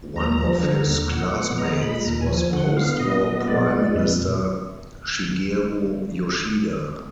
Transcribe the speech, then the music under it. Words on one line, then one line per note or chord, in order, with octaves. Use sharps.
One of his classmates was postwar Prime Minister Shigeru Yoshida.
D#2 A#5
F3
D3 A#5
D#2 A#5
A#2 F#5
B3
G#3 A#5
A#2 B5
D#2 A#5
G#5
F3
G#5
D3 F#5
B3 F5
A#2 D#5
B3
G#3 D5
A#2
F2 B4